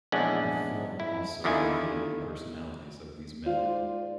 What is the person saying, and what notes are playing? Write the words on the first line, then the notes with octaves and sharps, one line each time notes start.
The film also revealed the personalities of these men.
A#1 E2 G#3 C#4 D4 F#5
E4
E2 D3 D#3 E4 F4 G#5
G#2 F4 C5 D5